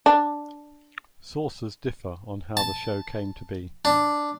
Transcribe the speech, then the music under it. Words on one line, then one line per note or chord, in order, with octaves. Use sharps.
Sources differ on how the show came to be.
D4
A5
D4